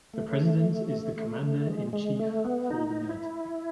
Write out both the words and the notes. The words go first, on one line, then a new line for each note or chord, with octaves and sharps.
The president is the commander in chief for the military.
A3
A3
A3
G#3
G#3
A3
B3
D#4
E4